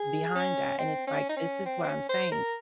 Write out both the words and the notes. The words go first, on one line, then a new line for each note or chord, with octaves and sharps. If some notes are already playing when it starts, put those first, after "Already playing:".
behind that. And it's like, this is what I'm saying.
Already playing: G#4
C#4
C4
C#4
D#4
C#4
C4
C4
C#4
C5
A#4